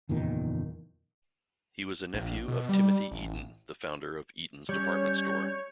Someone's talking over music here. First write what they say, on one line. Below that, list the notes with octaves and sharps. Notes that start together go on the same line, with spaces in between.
He was a nephew of Timothy Eaton, the founder of Eaton's department store.
F#1 E2 A#2 D#3
A#1
B2
G3
A1
G3 C#4 C#5 G6